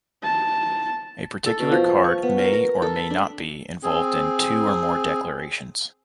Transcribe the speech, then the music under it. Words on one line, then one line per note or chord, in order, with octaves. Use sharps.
A particular card may or may not be involved in two or more declarations.
A5
A4
B2
F3
C#6
B3
A#4
A#4
A4
B5
D4
C4 G#4